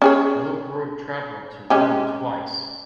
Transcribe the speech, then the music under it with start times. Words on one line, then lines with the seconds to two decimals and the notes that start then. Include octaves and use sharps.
Willibrord travelled to Rome twice.
0.02 C#4 G#4 C#5
1.70 G#3 C#4 G4